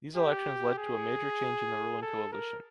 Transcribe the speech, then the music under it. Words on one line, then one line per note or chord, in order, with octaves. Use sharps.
These elections led to a major change in the ruling coalition.
G4
G#4
A4
A#4